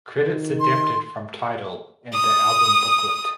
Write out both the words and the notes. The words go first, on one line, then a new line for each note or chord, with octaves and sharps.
Credits adapted from Tidal and the album booklet.
D#3
C6
D#6